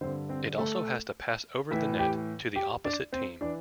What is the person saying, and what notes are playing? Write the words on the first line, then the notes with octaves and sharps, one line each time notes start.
It also has to pass over the net to the opposite team.
G2 D3 C4 C5
C4 C5
A3 A4
A2 E3 E4 E5
G4 G5
G4 G5
D4 D5
C4 C5
E3 D4 D5